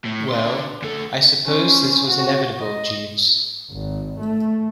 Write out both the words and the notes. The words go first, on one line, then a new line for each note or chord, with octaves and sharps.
Well, I suppose this was inevitable, Jeeves.
A2
D3 C6
D2 A4
C#4 C5
F#4
D#5
G#1
A3